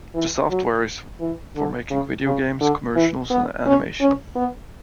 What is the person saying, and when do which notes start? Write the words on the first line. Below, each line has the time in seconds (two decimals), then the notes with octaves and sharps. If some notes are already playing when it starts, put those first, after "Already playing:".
The software is for making video games, commercials, and animation.
0.15 E3
0.50 F#3
1.20 E3
1.56 D3
1.90 C#3
2.26 C#3
2.61 D3
2.96 E3
3.30 B3
3.66 C#4
4.01 C#4
4.36 B3